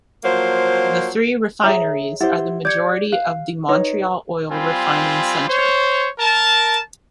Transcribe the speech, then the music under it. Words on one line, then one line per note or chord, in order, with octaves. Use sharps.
The three refineries are the majority of the Montreal Oil Refining Center.
F3 F#3 A#3 C5
G#4 C#5 E5 A#5
E4 G4 C5 F#5 A6
D5 G6 G#6 C#7
F5 F#6
D#4 B4 C#5
G3 C4 F4 G#5 B5
C5 C#5
A#4 A5